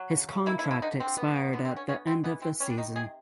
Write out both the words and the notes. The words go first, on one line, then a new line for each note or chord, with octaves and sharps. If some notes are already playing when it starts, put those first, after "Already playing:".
His contract expired at the end of the season.
Already playing: F#3
C#3
C#3
A#3 E4
E4
F3
E4
D3 D#4
D3 C4
B3
F#3
D3 B3
C4
D3
C#4
B3 C#4
G#3 C4
E3 B3
E3 C4
G3 C#4
D4
D#3 D#4
C3 G#4